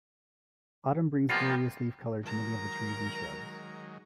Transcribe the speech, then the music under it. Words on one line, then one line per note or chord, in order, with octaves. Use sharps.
Autumn brings glorious leaf colour to many of the trees and shrubs.
C3 F3 G3 A#3 B3 F4
D#3 F#3 G#3 A#4 A#5